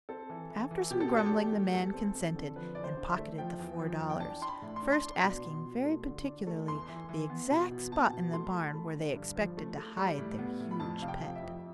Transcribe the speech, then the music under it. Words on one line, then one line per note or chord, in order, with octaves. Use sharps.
After some grumbling the man consented, and pocketed the four dollars, first asking very particularly the exact spot in the barn where they expected to hide their huge pet.
C4 A4
E3
E3
E3
B2 G4
A4
D4 G4
A4
G4
A3
A3
E2 A4
C4
C4
D3
F3 B4
E2 D5
C5
D3
E5
A3
F3 G5
E2
F3
E2
G5
D4 A5
D4 C6
B5
A2
C6
D4
C6
D4
B2
B2
B2
A3
D3
D4
A3
E2 C6
E3
E3
B3
B2 B5
B2
B2 A5
B2
A3 C6
B5
A3
A5
A3 B5
D3
G2
F3
A3
A3
G3 B5
A2
B3
A2
B5
F2 A5
C3 F5
G5
F2
E5
F2